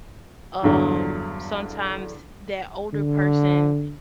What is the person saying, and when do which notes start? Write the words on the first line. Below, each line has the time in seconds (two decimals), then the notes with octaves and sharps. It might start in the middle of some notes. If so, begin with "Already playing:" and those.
um, sometimes that older person
0.63 E2 G2 D3 F#3
2.93 D3